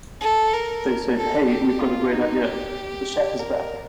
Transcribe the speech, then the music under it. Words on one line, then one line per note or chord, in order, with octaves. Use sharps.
They said, Hey, we've got a great idea: 'The Shack is Back!
A4
A#4
A4
G4
F4
D#4
G4
A#4